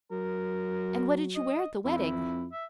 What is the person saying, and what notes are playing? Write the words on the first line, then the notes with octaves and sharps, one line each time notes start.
"And what did you wear at the wedding?"
F#3 A#4
D#5
F2 E4
E5